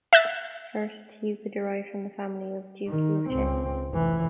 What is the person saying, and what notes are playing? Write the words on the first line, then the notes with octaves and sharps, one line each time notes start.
First, Hu could derive from the family of Duke Hu of Chen.
E5 E6 F#6 A6
D#3
C#2 C4
F1 E3